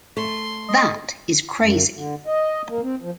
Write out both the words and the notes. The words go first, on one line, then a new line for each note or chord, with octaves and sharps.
That is crazy.
A3 C6
D#5
F#2
D3
D#5
A#3
C4
F3